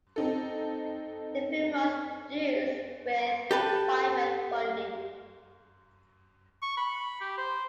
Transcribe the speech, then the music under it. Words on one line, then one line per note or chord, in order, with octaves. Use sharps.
The film was produced with private funding.
C4 D#4 A4
G4 A4 B4
C#6
B5
G4
C5